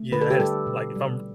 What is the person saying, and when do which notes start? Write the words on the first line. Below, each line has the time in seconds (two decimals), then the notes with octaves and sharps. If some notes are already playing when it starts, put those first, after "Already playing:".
Yeah, I had this Like, if I'm
Already playing: A3
0.12 D3 B4
0.21 A4
0.30 G4
0.39 G3 A4
0.67 B2
0.95 G3